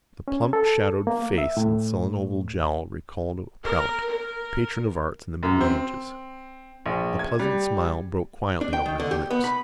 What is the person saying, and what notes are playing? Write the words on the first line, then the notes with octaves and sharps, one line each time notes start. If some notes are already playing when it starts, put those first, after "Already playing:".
The plump shadowed face and sullen oval jowl recalled a prelate, patron of arts in the middle ages. A pleasant smile broke quietly over his lips.
C#4
A4
A#3
E5
A2
A#4
A#4
F#2
C4
A#1
G#6
G3
D4
G5
D#3
D3
G4
B3
B5